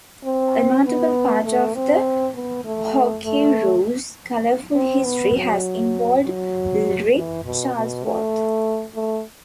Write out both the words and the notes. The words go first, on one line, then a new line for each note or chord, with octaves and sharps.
A notable part of the Hockeyroos colourful history has involved Ric Charlesworth.
C4
B3
A3
C4
B3
A3
A3
C4
B3
F#3
F#3
E3
B2
B2
A3
A3